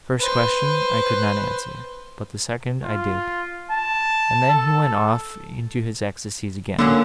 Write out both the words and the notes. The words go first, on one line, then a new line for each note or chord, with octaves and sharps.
The first question I could not answer, but the second I did; and then he went off into his ecstasies again.
B4 C5
F4
A5
A4
D3 F#3 A#3 C#4